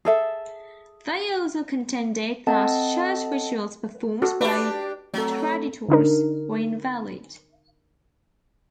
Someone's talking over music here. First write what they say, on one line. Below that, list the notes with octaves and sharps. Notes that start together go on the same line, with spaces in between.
They also contended that church rituals performed by traditores were invalid.
G#4 A4 E5
C4 A4 D#5 F#5 A5
F#4 A4
D4 G4 B4
F#3 A3 C4 A4
D3 D4 D#4 A#4